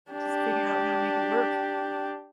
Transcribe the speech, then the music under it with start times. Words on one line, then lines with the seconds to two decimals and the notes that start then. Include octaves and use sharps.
just figure out how to make it work.
0.11 D4 G4